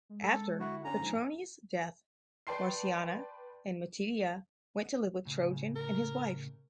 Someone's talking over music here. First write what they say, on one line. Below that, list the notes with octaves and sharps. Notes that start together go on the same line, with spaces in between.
After Patruinus' death, Marciana and Matidia went to live with Trajan and his wife.
G#3
A4
D3 E4 F#4 F#5
D3 C#4 G#5 A#5
G#2 F3
B4 D5 G5 A5 C6 C7
A2 C#3
A#4